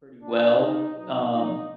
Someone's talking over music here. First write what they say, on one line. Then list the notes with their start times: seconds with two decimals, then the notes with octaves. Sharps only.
pretty well. Um.
0.22 D3 F3 D4
0.58 D#4
0.94 B2 F#3 D#4
1.32 D#4